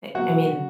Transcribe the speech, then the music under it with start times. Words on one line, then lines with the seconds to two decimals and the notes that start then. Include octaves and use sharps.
I I mean,
0.14 B2 F#3 A#3 F#4
0.52 C#3 F#3